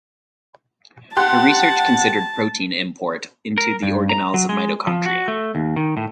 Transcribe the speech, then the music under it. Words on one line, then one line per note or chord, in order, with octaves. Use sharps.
Her research considered protein import into the organelles of mitochondria.
G4 F#5 A5 C6 F#6
A#4
G2
A#5
F#3
G#3
F3
F#4
A3
D#2
D#3
A2